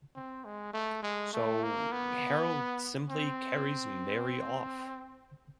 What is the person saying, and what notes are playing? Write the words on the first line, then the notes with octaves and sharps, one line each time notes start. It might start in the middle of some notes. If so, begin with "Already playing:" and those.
So Harold simply carries Mary off.
C4
G#3
A3
G#3
A3
A#3
B3
C4